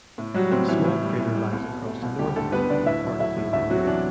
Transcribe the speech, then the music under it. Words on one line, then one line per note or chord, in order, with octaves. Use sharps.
A small crater lies across the northern rim and part of the inner wall.
A2
F#3 G3 F#4
A2 C4
E3 G3 E4
A2
G3
A2
G3
C2
B2
A3
C2
D2 G3 G4
D3 A3 A4
G3 B3 B4
D2 D4 D5
A2 E4 E5
F#3
A3 E4 E5
A2
D2 E4 E5
C3 F#3 F#4
E3 D4